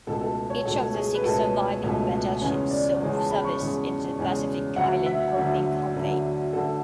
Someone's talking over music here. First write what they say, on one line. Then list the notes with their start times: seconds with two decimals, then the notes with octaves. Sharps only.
Each of the six surviving battleships saw service in the Pacific island hopping campaign.
0.07 C#2 B2 A3 A4
0.21 A4
0.50 C#5
0.65 C#2 B2 A3 A4
0.94 G#4
1.15 B4
1.24 C#2 B2 A3 A4
1.83 C#2 B2 A3
2.41 E2 C#3 G#3 C#4
2.71 D5
3.01 E2 C#3 G#3 C#4
3.15 A5
3.30 B5
3.44 C#6
3.59 E2 C#3 G#3 C#4
4.18 E2 C#3 G#3 C#4
4.76 D2 D3 F#3 F#5
5.06 E5
5.35 D2 D3 F#3
5.94 D2 D3 F#3
6.52 D2 D3 F#3 A4